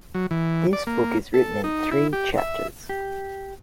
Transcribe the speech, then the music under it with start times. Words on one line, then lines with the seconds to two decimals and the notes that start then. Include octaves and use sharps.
This book is written in three chapters.
0.14 F#3
0.31 E3
0.73 D5
0.87 A#3
1.34 A4
1.64 D#4
1.92 E4
2.13 G4
2.38 E5
2.89 G4